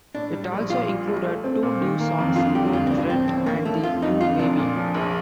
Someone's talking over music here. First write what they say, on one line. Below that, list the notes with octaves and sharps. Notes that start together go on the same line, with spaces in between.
It also included two new songs, "No Threat" and "The New Maybe".
A2 D4
G3
A#1
A#2 F4
G3
A#1
A3
C4
A#2
D#3
A#3
F2
D3 F4
G3 G4
G4
D2 F4
C4
A2 D4
F3 C4
A1 C4
D3 A#3
F3 A3
F2 F4
F2 D#4
D3 F4
F1 D4
A#2
F3
A#1